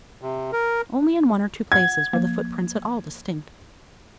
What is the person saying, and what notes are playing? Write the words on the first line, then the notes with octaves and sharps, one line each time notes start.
Only in one or two places were the footprints at all distinct.
C3
A#4
F#5 G#6
F3 A#3